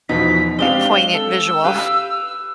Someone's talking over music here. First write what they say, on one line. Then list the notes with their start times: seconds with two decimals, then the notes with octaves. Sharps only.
a poignant visual.
0.09 E2 B2 F3 D#4 B4 B6
0.59 G#3 C4 D4 G4 F5 G7
1.14 A4 E6
1.64 G4 B4 F5 F#6 D#7